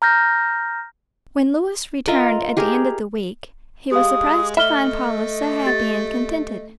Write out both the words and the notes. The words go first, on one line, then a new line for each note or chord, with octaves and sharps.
When Louis returned at the end of the week, he was surprised to find Paula so happy and contented.
A#5 F6 G6 A#6
F4 A#4 D#5 E5
G4 G#4 A#4
G#3 G4 F5 D#6
A3 D#5 E5 B5 F6 G7
G4 A6